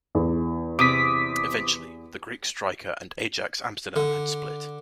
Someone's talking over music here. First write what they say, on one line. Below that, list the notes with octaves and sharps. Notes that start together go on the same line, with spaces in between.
Eventually, the Greek striker and Ajax Amsterdam had split.
E2
C3 D6 D#6 B6
D3